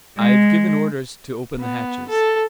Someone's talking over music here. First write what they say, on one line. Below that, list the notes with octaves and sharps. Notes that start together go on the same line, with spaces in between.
"I've given orders to open the hatches."
G#3
B3
A4